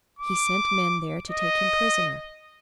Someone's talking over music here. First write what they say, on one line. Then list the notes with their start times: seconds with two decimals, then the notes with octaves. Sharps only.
He sent men there to take him prisoner.
0.19 D6
1.31 D#5